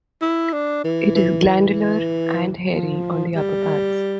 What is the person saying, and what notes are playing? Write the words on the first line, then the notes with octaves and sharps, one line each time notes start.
It is glandular and hairy on the upper parts.
E4
D4
E3
E3
F3
G3